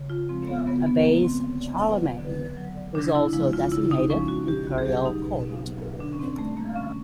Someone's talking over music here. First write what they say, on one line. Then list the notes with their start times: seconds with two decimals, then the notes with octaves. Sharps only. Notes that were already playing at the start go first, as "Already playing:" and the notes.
A base Charlemagne was also designated imperial court.
Already playing: C#3
0.10 F4
0.29 F3 G#3 C4
0.47 B3
0.66 C#3 B3
0.86 B3
1.05 F3 G#3 A#3
1.24 C4
1.43 D3
1.82 F#3
2.19 D3
2.57 F#3
2.95 C#3 D4
3.15 E4
3.33 F3 G#3 E4
3.53 F4
3.71 C#3 E4
3.91 D#4
4.10 F3 G#3 C#4
4.28 F#4
4.47 B2 G4
4.67 F#4
4.78 G#4
4.86 F#3 G4
5.05 D#4
5.24 B2
5.62 F#3
6.00 D3 D4
6.13 C#4
6.19 C4
6.38 G3 A3
6.57 A#3
6.76 D3 C#4